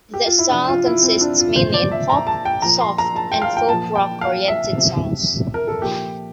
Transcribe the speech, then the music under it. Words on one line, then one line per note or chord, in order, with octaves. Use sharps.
Their style consists mainly in pop, soft and folk rock oriented songs.
G4
F4
E4
C3 F3 D4
F4
E4
C4
D4
F4
A#2 F3 C5
D5
E5
A#5
A5
G5
A#2 F3 A#5
C6
A#5
A5
G5
F5
G5
A#2 F3 A5
G5
F5
E5
C3 F3
A#4
A4
A#2 F3 G4